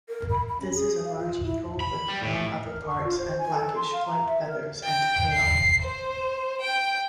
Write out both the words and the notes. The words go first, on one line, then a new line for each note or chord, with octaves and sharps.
This is a large eagle with brown upperparts and blackish flight feathers and tail.
A#4
B5
B5
C#4
G#4
F5
F4
E4
B5
G3
A2
A#4
C#6
F4
C5
G#5
A4
C6
F5
A#5
E5
A#4
G5
C7
C5
G5